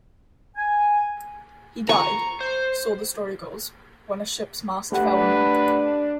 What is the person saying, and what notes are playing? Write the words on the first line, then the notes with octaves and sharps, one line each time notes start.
He died, so the story goes, when a ship's mast fell on him.
G#5
A#5 C#6
C5
A3 D4 G4 B4 F#5